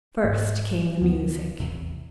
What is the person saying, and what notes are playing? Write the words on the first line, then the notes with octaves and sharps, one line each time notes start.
First came the music.
G#1 G#2 G#3
D2 F3 B3
D#1 A1 E2 C3